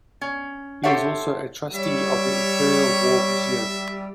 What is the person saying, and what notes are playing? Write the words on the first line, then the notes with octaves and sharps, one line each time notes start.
He is also a Trustee of the Imperial War Museum.
C#4
G4 A4 C5 C#5 E5 F#5
G3 C#5 E5